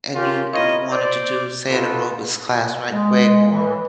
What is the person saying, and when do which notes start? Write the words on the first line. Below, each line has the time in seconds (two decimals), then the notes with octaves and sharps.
and you and you wanted to do, say, an aerobics class right quick or
0.15 C#4 F4 G4 A#4
0.54 E4 F4 A#4 C#5 D#5
0.91 C5 D5
1.71 D#4 F4 F#4 A4 B4
2.91 G#3
3.52 E3